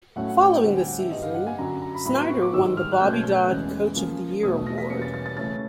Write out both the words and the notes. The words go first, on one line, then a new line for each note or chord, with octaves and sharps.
Following the season, Snyder won the Bobby Dodd Coach of the Year Award.
A2 F#3 A3 C#4 F#5
F#5
F#5
G5
D3 G3 C4 G5
G#5
F#5
E5
G2 D3 G3 D#5
F5
F#5
G#5
F#2 D3 F#3 A#5
A#5
A#5
B5
A2 F#3 B3 B5
C6
C#6
D6
G#2 D#3 G3 E6
F6
F#6
B2 F#3 A3 C#4 G6
G#6
G6
F#6
E2 C#3 E3 G#3
C#3 F3 A#3
E2 B2 F#3 A3 D#6
A#6
B6
E2 B2 G3 A#3 C#4 C#7
A6
A6
A6
C#3 E3 A3 C#4 A6